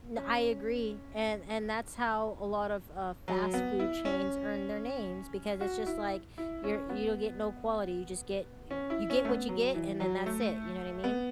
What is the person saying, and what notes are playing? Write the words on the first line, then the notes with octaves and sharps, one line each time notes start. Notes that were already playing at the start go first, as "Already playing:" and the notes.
N I agree, and and that's how a lot of, uh, fast food chains earn their names, because it's just, like, you're you get no quality, you just get y you get what you get, and then that's it, you know what I mean?
C#4
F#3
B3
E4
C#4
F#4
E4
E4
C#4
B3
C#4
E4
C#4
A3
B3
F#3
E3
F#3
A3
B3